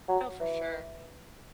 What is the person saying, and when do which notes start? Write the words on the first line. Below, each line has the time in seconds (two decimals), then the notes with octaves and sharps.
Oh, for sure,
0.08 F#3
0.40 E3